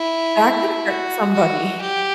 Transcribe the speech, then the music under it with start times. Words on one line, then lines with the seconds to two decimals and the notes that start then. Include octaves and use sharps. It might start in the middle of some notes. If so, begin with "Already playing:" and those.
That could hurt somebody.
Already playing: E4
0.86 F#4
1.33 F#4
1.81 G4